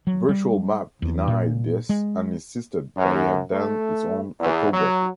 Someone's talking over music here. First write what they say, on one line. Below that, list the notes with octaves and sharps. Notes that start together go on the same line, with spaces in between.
Virtual Map denied this and insisted that it had done its own cartography.
F#3
G3
E2
A#2
G#3
F#2
A3
E2
F#3